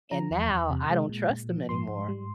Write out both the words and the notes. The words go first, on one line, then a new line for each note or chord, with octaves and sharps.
and now I don't trust them anymore."
F3 A#5
E2
E2
C3
G#3
A#2
A#2
F3
G#2 C6
G#2
G3